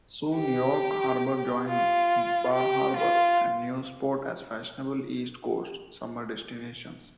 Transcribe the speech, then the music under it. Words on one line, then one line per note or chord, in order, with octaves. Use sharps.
Soon York Harbor joined Bar Harbor and Newport as fashionable East Coast summer destinations.
G4
F4
G4
F4